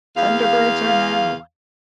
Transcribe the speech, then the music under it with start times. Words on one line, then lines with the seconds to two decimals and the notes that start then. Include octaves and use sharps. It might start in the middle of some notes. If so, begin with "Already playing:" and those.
Thunderbirds Are Now!
0.16 E2 F5